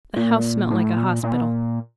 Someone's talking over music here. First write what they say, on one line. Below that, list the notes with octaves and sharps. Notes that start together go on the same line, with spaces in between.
The house smelt like a hospital.
A#2
A2
A#2
B2
A#2
A#2
B2
A#2